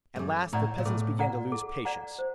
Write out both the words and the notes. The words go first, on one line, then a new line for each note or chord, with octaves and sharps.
At last the peasants began to lose patience.
G2
F#2 A4
A2 D5 F#5 A#5
A#2
A2 A4
D5 F#5 A#5
A4
D5 F#5 A#5
C5